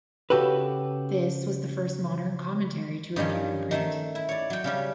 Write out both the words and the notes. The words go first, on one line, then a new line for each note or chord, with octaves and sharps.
This was the first modern commentary to appear in print.
C#3 F#4 G4 A4 B4
G2 D#3 F3 C#4 G#4 D#5
D#3 A3 E5
E4
C#5 D5
F#3 G5
C#3 G3 C#4